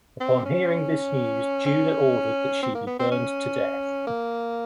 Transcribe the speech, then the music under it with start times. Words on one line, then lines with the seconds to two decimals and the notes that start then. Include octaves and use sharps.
Upon hearing this news, Judah ordered that she be burned to death.
0.20 C4
0.46 C#4
1.66 C#4
2.63 C4
2.75 A#3
2.87 B3
2.99 C4
3.11 C#4
4.07 A#3